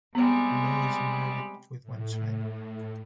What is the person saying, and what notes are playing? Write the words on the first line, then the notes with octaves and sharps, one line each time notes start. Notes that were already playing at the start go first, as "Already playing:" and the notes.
Loh is married with one child.
C3 G3 G#3 B3
A2